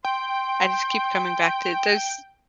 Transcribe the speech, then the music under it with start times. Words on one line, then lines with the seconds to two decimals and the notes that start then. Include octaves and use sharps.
I just keep coming back to there's
0.05 G5 C6